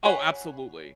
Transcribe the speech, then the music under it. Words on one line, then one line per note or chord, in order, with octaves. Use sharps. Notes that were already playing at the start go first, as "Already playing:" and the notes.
Oh, absolutely.
G#4 C#5 F#5 B5